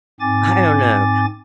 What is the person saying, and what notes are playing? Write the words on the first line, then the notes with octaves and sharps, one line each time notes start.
I don't know.
G#2 C4 G#5 D6 A6